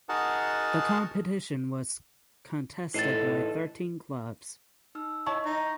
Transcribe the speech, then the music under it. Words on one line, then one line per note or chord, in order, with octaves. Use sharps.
The competition was contested by thirteen clubs.
D#4 F#4 G#4 A#4 F#5 A5
A2 E3 D#4 A4 A6 C7
D#4 E6 F6
E4 C#5 D#5 A5 C#6
D#4